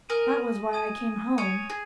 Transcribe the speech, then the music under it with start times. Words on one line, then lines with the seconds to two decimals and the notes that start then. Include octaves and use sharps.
That was why I came home.
0.09 A#4 G#5 D#6 A#6 D#7 F#7
0.73 G#5 D#6 G#6 D#7
1.38 C#5 G#5 D#6 G#6 D#7
1.70 G#4